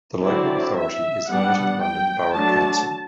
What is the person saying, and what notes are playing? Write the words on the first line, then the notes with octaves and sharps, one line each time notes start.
The local authority is Merton London Borough Council.
D3 F#3 C4 E4 D5
E5
G3 B3 D4 F#5
G5
F#3 A3 D4 A5